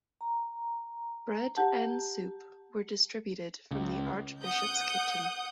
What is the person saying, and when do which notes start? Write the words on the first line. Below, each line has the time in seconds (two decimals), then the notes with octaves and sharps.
Bread and soup were distributed from the archbishop's kitchen.
0.21 A#5
1.57 G4 F#5 A5
3.71 C#2
4.42 F#5 D#6 G6